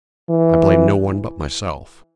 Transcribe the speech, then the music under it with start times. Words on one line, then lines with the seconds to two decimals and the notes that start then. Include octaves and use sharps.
I blame no one but myself.
0.30 E3